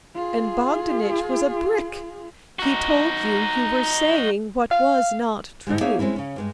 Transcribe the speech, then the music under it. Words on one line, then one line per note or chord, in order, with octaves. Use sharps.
And Bogdanich was a brick: he told you you were saying what was not true.
F4 G#4
D#4 F#4
F5
G#2 D3 G3 G#3
A#3 B3 D#4 G#4 C#5 E5
G#3 C4 C#4 E4
C#3 C#4
G2 G#3 D#4